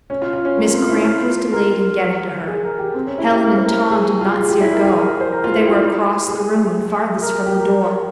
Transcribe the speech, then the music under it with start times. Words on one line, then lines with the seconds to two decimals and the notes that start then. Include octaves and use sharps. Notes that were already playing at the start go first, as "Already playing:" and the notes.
Miss Cramp was delayed in getting to her; Helen and Tom did not see her go, for they were across the room and farthest from the door.
0.10 C#4
0.22 F4
0.33 F4
0.45 C#4
0.57 A#3
0.74 C4
0.83 F4
0.89 E4
1.05 F4
1.53 A#4
2.47 G#4
2.64 A#4
2.79 G4
2.94 C4
3.07 C#4
3.18 E4
3.31 G4
3.42 A#4
3.57 C5
3.66 A#4
3.91 G#4
4.06 G4
4.21 F4
4.38 G#4
4.49 G4
4.61 E4
4.73 A#4
4.85 G#4
4.96 A#4
5.08 G#4
5.21 C5
5.32 A#4
5.44 F4
5.56 E4
5.67 G4
5.80 G4
6.28 G#4
7.22 A#4
7.46 G4
7.59 A#4
7.70 A#4